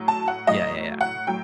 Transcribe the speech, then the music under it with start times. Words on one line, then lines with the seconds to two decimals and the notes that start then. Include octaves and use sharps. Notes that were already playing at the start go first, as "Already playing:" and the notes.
Yeah, yeah, yeah.
Already playing: A2 F#3
0.08 A5
0.28 F#5
0.47 A2 F#3 D#5
1.01 F#5
1.27 A2 F#3 G5